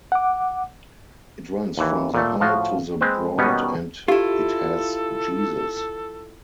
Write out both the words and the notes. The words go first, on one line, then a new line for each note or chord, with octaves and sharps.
It runs from the High to the Broad and it has Jesus.
F#5 D6
D#2 E3
A#2 A3
A2 F3 F4 F#4
G#3 C4 B4 C5
B2 D#3 G3 B3 C#4 D#4
E4 F4 G4 A4